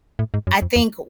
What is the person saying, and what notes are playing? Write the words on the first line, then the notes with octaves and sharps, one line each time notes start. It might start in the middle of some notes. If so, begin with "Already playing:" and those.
I think
A2
G#2
F#2
F2
E2